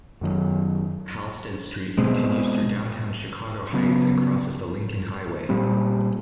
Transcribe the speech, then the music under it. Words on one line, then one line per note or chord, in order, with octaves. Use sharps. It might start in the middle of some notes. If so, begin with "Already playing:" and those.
Halsted Street continues through downtown Chicago Heights and crosses the Lincoln Highway.
F#2 D#3 F#3
B2 G#3 C4
C#3 F#3 B3
A#2 G3 C4